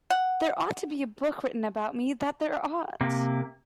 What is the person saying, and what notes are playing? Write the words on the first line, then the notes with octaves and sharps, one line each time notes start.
There ought to be a book written about me, that there ought!
F#5
C3 A#3